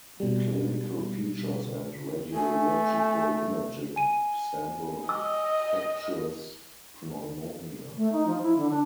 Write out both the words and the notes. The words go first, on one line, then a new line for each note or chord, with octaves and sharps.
The clinical features and radiological imaging resemble infectious pneumonia.
B2 G3
A3 G#5
G#5 D#7
D#5 E6
A3
D#4
F3
E4
D3
D4